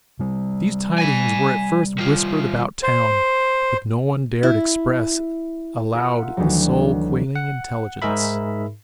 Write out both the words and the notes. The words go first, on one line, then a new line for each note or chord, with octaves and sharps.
These tidings were at first whispered about town; but no one dared express aloud the soul-quailing intelligence.
C3 G3
G#5 B5
D#3 F4
C5
E4
F4 A#4 E5 F#5
D2 D#3 E3 F#3
F#5
G#2 D#4 G#4 A#4 E5 B5